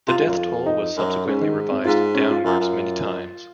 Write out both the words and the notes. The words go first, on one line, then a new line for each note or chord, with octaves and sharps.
The death toll was subsequently revised downwards many times.
C3 F4
G#2
F#2
F2
D#4
F#2
G#2 C#4
D#3
C4
G#2 F4
C#4
F4
F#2 F4
F#2